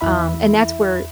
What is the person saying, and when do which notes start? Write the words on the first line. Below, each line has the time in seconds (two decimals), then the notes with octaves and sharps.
Um, and that's where
0.01 E2 E4 E5 B5